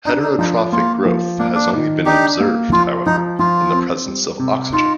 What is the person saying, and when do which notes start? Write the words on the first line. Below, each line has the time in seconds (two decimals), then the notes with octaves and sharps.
Heterotrophic growth has only been observed, however, in the presence of oxygen.
0.05 D4 D#4
0.23 D#4
0.39 F3 D#4
0.56 D4
0.72 A#3 F4
1.06 F3
1.39 A#3 D4
1.55 D4
1.73 D#3
2.06 D4 D#4 G4
2.40 A#3
2.72 F3 F4
3.06 F3 D#4
3.39 F3 F4
3.73 C4
4.06 G3
4.39 C3
4.73 D#4 F4